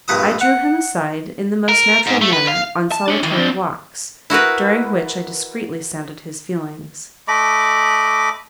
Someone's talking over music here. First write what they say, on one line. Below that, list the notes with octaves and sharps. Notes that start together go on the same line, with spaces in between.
I drew him aside in the most natural manner on solitary walks, during which I discreetly sounded his feelings.
A#1 G2 B4 D#5 D#6
F#5
A#4
G#2
A3
B4
F5
A5
D4 C#5
D#3 E3
C4 D4
E4 F#4 A#4 B4
A3 D#5 B5 D6